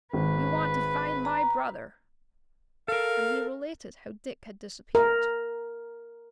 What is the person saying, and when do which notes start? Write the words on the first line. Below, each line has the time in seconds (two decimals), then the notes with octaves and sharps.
"We want to find my brother," and he related how Dick had disappeared.
0.13 G#1 B4
1.25 A#5
2.88 A4 A#4 F5
4.95 A#4